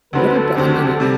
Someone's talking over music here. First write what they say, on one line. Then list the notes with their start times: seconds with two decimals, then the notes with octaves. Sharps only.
what abou I mean, eh
0.13 D2 D3 F#3 C4 B4
0.34 A4
0.55 D2 D3 F#3 C4 G4
0.67 F#4
0.77 G4
0.88 A4
1.00 C3 G3